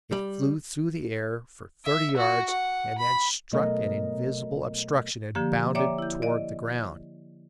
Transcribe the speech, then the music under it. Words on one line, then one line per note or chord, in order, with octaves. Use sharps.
It flew through the air for thirty yards and then struck an invisible obstruction and bounded toward the ground.
G3
E5
F#4
F#5
B5
B2 F#3 A3 B3 A#4 D#5
D3 F3 A#3 G4
C#5 D5 E5 G5 A#5 D6
E4 G6
D5 D#5